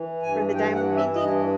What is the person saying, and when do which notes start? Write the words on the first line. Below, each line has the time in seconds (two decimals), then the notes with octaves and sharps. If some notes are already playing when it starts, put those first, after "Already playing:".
for the diamond painting?
Already playing: E3
0.22 G2 G#5
0.54 E3 G5
0.74 F#5
0.85 E3
0.95 E5
1.15 G2 D#5